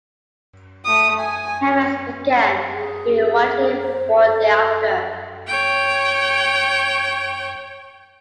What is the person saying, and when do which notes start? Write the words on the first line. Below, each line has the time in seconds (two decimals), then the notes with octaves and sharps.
Helmets began to be widely worn thereafter.
0.85 A3 D#6
1.20 G#5
2.73 G#4
3.78 C5
4.25 A4
5.47 C#5 G5